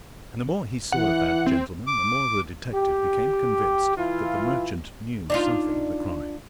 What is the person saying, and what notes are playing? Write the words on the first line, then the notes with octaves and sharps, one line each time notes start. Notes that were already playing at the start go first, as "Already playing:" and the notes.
And the more he saw of that gentleman the more the detective became convinced that the merchant knew something of the crime.
E3 F#5
C4
D6
G4
E3 E4 F4
D4 D#4 F4